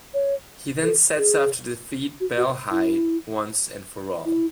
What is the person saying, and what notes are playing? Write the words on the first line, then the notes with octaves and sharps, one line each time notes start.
He then sets off to defeat Baelheit once and for all.
C#5
A4
G#4
F#4
F#4
E4
E4